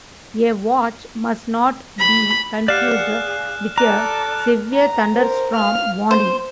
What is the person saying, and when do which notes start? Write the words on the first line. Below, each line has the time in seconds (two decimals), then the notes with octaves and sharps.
A watch must not be confused with a Severe Thunderstorm Warning.
2.00 B5
2.68 G4 D5 F5 F#5 F6 F#6 E7
2.99 G#4
3.78 A4 D5 A#5 F#6
4.73 A#5
5.14 A#4 C5
5.56 F5 F6
6.11 C5